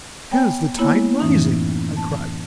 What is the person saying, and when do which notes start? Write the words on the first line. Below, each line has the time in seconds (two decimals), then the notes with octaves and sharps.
"Here is the tide rising," I cried.
0.32 B3 C#5 G5 G#5
0.77 A#3 B3 E4 C#5 G#5
1.20 F#2 A2 E3 A3 C#4 D#4
1.97 A5